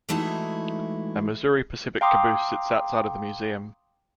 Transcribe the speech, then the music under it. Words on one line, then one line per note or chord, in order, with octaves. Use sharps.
A Missouri-Pacific caboose sits outside of the museum.
E3 G#3 A3 D#4 E4 F#4
F5 G5 A#5 C6 D6 D#6